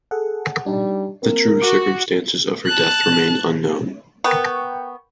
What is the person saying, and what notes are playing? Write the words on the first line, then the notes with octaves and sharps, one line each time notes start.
The true circumstances of her death remain unknown.
G#4 A4 F#5
G3 D4 D#4
A#3 C4 A#4
F#4 D6
A5 F#6
B3 A#4 G5 C#6